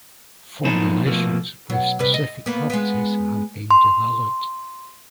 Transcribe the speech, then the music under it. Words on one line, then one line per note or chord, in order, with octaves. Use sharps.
Formulations with specific properties have been developed.
B1 A#2 F3 D#4 A5 B5
B2 F3 A3 A#3
B2 F#3
C3 G3 B4
D#5
A#3 B3
G#3 B3
C6